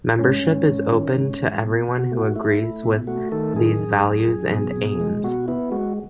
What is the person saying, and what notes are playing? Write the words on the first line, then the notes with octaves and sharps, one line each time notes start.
Membership is open to everyone who agrees with these values and aims.
G#2 C#4
G#2
G#2
D#3
G#2
G#2
B2
B2
F#4
A3
F#4
A3 E4
A3
B2
A3 F#4
D#3 A4
F#2 G#4
F#2
F#2
F#2
B2
B2
G#3
B2 F#4
B3 E4
G#3 F#4